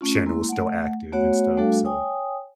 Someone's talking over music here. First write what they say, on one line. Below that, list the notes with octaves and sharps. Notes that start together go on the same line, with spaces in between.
channel was still active and stuff. So,
A3 C#4 F4
G#3 A#3 E4 C6
A3 F#5
A3 B3 F#4 C#5 F#5
G3 A3 D4 F#4 A4 F5
C#5 G5 G#5 D#6